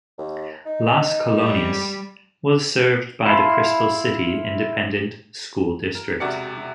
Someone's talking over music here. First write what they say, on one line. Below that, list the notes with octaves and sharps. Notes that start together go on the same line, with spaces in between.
Las Colonias was served by the Crystal City Independent School District.
D#2
D#4
G3
E4 F5 A5 B5 C6
A#4
E1 C3 F#4 A#4 D5 C#7